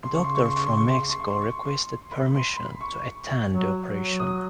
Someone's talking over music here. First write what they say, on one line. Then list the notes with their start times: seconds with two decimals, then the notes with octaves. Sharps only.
A doctor from Mexico requested permission to attend the operation.
0.03 C#3 C6
0.14 C#6
0.24 C6
0.35 C#6
0.46 C6
0.56 C#6
0.67 C6
0.77 C#6
0.88 C6
0.99 C#6
1.09 C6
1.20 C#6
1.30 C6
1.42 C#6
1.65 C6
2.11 B5
2.35 C6
2.57 B5
2.81 C#6
3.50 F#3
3.85 F#3
4.20 D#6